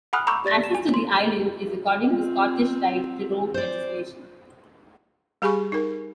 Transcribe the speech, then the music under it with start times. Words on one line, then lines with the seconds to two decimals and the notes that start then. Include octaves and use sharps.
Access to the island is according to Scottish right to roam legislation.
0.13 F#5 G#5 B5 D#6 F6 F#6
0.27 A#5 B5 C#6 D6 E6 G6
0.45 G4 D5 A6 A#6
0.64 E7
0.75 G#5
0.94 C6
2.10 C4 F4
3.54 C5 D5
5.42 G3 G4 G#4 G#5 B5 C#6
5.72 D#4 A#4